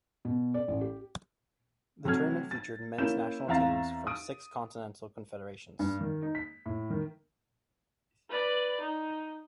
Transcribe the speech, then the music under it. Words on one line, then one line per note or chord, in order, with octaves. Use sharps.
The tournament featured men's national teams from six continental confederations.
B2
D5
A1
G4
C3 F#3 A3 F6 G#6
A6
A#3 C#4 E4 G6 E7
E2 C4 E5 F5 A#5 A6
D#6 D7
G2
D#3
D#4
B6
A2
D#3
B4 D5
D#4